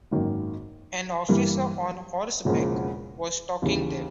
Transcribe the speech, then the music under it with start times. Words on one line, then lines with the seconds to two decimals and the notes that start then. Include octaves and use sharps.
An officer on horseback was talking there.
0.11 G#1 F#2 D#3 F#3 A#3
1.29 G2 E3 G3 A#3
2.45 E1 E2 C#3 F3 A#3
3.62 D#2 C#3 E3